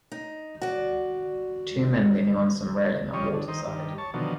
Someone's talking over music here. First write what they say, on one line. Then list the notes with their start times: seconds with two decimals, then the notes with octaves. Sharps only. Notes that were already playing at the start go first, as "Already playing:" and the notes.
Two men leaning on some railing at water side.
0.12 D#4
0.62 F#4 D5
3.13 C#3 F3 G3 C#5 D#5
3.33 D3
3.48 D#3 D#4 C5
3.66 G2 D#3
3.98 C#5 A5
4.14 B2 D3 D#3 F3 F#3